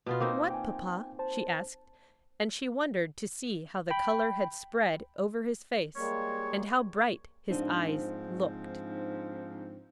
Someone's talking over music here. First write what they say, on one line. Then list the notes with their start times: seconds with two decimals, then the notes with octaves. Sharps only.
"What, papa?" she asked, and she wondered to see how the color had spread over his face, and how bright his eyes looked.
0.06 B2 B3 F4 B4
0.20 A#3 C4 D#4
0.51 G5 G#5
1.19 C5 A5
3.90 G5 B5
5.96 G3 G#3 A#3 C#5
7.50 G#2 F3 C4 D4 D#4